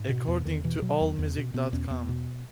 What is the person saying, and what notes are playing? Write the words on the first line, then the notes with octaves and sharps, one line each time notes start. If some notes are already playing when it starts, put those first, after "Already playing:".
According to Allmusic dot com.
Already playing: G#2
B2
E2
E2 D#3
B2 E3
B2 F#3
E2
E2
B2
B2 B3
E2 C#4
E2 B3
B2